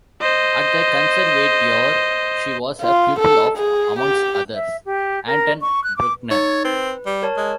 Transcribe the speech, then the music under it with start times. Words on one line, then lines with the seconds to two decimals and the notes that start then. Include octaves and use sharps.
At the Conservatoire she was a pupil of, amongst others, Anton Bruckner.
0.21 C5 D#5
2.81 F4
3.19 A4
3.57 G#4
3.99 G4
4.54 E5
4.86 G4
5.26 A#4
5.61 C#6
5.84 F#6
5.97 D6
6.31 D#4 C#5 G#6 A6
6.64 C4 B4
7.06 G3
7.22 A#4 C#5 A5
7.37 G#3